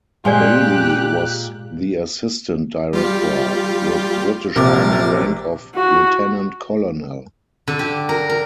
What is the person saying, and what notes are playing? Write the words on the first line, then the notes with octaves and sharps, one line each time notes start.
Bayly was the assistant director, with British army rank of lieutenant colonel.
A#2 G#3 F4 G4 D5 G#5 C6 F#6
G3 F4 G4
A#1 C3 A#4 D6 A6
F#4
D3
G4
A#4
A#4